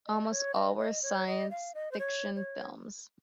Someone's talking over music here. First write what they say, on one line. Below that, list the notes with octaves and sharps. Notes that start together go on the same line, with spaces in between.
Almost all were science fiction films.
D#5
C#5
D#5
D#5
C#5
D#5
F5
D#5
C5
C#5
C#5